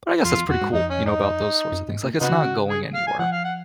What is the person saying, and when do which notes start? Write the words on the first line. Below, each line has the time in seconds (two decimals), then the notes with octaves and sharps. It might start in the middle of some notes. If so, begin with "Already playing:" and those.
but I guess that's pretty cool, you know, about those sorts of things. Like, it's not going anywhere.
0.25 F2 F4
0.32 F#2
0.37 F2
0.49 F2 F#4
0.61 G#2
0.73 F2 D#4
0.90 C#4
1.06 D#4
1.72 F#2
1.88 G#2
2.04 A#2
2.21 C#3 B3 D#4 F#4
2.32 D#3
2.43 C#3
2.70 G#4
2.94 F5
3.07 G#5
3.19 F3 F#5
3.32 F5
3.44 F#5